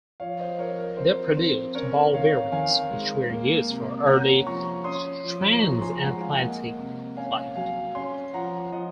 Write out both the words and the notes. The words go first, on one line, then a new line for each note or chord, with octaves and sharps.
They produced ball bearings which were used for early transatlantic flight.
F3 C#5 F5
C5 D#5
F3 A#4 C#5
A#4
C4 C5
C4
C#4 A#4 C#5
D#3 C#5 F5
D#3 F5 G#5
G#3
A#3
C3
C#4 F#5 A#5
F3 A#5 C#6
C#4 C6 D#6
F3
F3 A#5 C#6
G#5 C6
G#3 F#5 A#5
F5 G#5
G#5
A#3 D#5 F#5
C3
C#4 F5 G#5
F#3 F5 G#5
C#4 G#5 C6
F3 F#5 A#5
F3 D#5 F#5